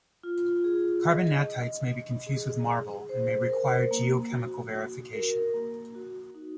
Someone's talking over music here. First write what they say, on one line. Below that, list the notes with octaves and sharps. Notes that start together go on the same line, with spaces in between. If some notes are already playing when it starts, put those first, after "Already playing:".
Carbonatites may be confused with marble, and may require geochemical verification.
F4
G#4
D#5
D#5
D#5
G#4
G#4
C5
A#4
A#3
F#4
F#4
A#4
A#3
F#4
D#4